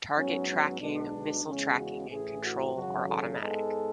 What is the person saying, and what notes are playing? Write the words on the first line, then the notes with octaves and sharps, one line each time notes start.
Target tracking, missile tracking and control are automatic.
G#2 F#3 B3 C#4
C#4
B1 B2 G#3 D4
E2 C#3 G#3 C#4
F#4
A1 A2 E3 G#4
F#4
G#1 F#2 C#3 F#3 F#4
A4
G#2 G#3 B3 A4